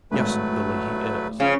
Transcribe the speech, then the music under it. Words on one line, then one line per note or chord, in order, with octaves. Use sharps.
Yes, Lily, he is.
G#1 A2 F#3 A3 B4
C#3 F3 C#4 F5